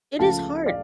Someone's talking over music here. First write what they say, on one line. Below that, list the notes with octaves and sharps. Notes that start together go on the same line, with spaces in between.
It is hard.
C#2 C#3 F3 A3 F5 A5
D5 F5